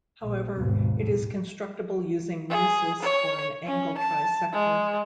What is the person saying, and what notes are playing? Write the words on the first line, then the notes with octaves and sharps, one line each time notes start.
However, it is constructible using neusis, or an angle trisector.
A#1
G#1 D#2 B2
A2
G#4
C#5
C#4
A5
G#3